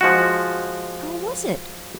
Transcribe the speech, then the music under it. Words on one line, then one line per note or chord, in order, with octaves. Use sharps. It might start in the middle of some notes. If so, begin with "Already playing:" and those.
How was it?
F3 G#3 F#4